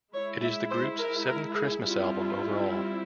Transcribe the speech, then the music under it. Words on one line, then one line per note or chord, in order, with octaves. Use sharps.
It is the group's seventh Christmas album overall.
G#3 E4 C#5
E5
C5
A#4
A#4
G#4
G3 C4 E4 F4